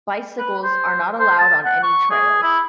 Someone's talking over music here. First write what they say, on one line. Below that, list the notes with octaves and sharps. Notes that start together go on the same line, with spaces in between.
Bicycles are not allowed on any trails.
B4
C5
C5
A5
F#5
C#6
G#4
E4